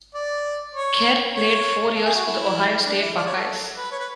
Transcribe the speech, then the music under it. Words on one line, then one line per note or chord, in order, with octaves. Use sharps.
Kerr played four years for the Ohio State Buckeyes.
D5
C#5
C#5
A4
G#4
F#4
E4
D4
E4
D5
C#5
A4
B4
C#5
B4